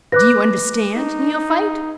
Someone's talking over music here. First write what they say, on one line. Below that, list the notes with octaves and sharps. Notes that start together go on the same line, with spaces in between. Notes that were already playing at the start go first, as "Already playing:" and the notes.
Do you understand, Neophyte?
B4 D6 F#6 A#6
D#4